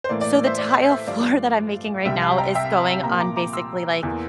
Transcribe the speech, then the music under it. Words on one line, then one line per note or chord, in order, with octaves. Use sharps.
So the tile floor that I'm making right now is going on basically, like,
C5
A2 E3 A#3 D5
D5
D5
C5 E5
D5
C5 E5
G2 F3 A3 D5 F5
C2 C3 G3 E5 G5
F5 A5
G5 A#5
E5 G5
A#2 F3 A#3 G5 A#5
A#5 D6
A#5 D6
C6 E6
E2 E3 A#3